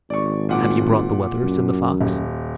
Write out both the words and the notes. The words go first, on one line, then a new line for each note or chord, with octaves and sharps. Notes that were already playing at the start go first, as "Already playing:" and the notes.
'Have you brought the wether?' said the Fox.
G#1 D5 C#6
A#2 F#5 D6
F#2
D#1